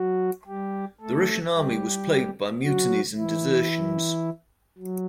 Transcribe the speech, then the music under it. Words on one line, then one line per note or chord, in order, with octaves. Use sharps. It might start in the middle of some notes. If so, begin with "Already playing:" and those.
The Russian Army was plagued by mutinies and desertions.
Already playing: F#3 F#4
G3 G4
A3 A4
G3 G4
F#3 F#4
E3 E4
F#3